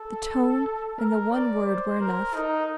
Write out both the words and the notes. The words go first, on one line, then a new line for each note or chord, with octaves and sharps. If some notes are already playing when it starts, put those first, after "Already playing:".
The tone and the one word were enough.
Already playing: A4
A#4
D5
C5
A#4
D#4